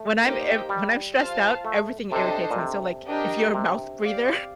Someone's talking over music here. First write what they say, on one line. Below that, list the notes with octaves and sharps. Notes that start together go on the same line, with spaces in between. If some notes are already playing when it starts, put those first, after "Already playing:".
When I'm in when I'm stressed out, everything irritates me, so like, if you're a mouth breather,
Already playing: A3
A#3 D#4 G4 C5 G5
G3
F4 C5 F5 A5
A3
C3 D4 A4 C5 D#5
A#2
C3
D4 G4 A#4 D#5 G5
C3
G4 D5 F5